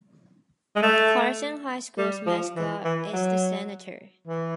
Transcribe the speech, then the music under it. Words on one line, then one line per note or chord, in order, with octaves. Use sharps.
Carson High School's mascot is the Senator.
G#3
A3
G3
F3
E3
E3
F#3
E3